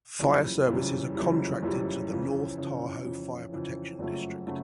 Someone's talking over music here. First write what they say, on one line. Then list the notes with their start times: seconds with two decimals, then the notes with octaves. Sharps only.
Fire services are contracted to the North Tahoe Fire Protection District.
0.19 F#1 F2 C#3 E3 G3
0.67 F#1 F2 C#3 E3 G3
1.15 F#1 F2 C#3 E3 G3
1.63 F#1 F2 C#3 E3 G3
2.09 F2 C#3 E3
2.57 F2 C#3 E3
3.05 F2 C#3 E3
3.52 F2 C#3 E3
3.99 F#1 F2 C#3 F#3 A3
4.47 C#3 F#3 A3